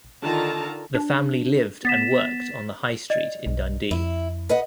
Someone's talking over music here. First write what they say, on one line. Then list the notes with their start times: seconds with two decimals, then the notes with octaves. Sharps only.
The family lived and worked on the High Street in Dundee.
0.22 D3 D#3 F4 A5 A#5
0.95 D4
1.85 B3 A6 B6 E7
3.10 D5 D#5
3.46 B1
3.91 F2 E4
4.49 B4 D#5 F#5